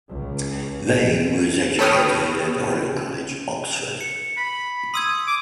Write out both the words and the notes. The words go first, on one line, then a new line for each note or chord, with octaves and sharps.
Vane was educated at Oriel College, Oxford.
C#2
A4 B4 C#5 G5 D#6 F6
C#7
B5
C6 D#6 E6 G#6
D6